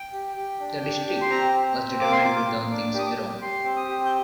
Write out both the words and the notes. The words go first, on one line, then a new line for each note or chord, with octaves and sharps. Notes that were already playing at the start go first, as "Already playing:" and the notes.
The District was determined to turn things around.
Already playing: G5
G4
G4
D4
G4
G4
C6
C4 A#5
C4
C4
A#3 D6
C6
F4 D6
D6
A#3
D4 D6
G4 D#6
D6
G4
G4 C6
C4
D#6
G4
G6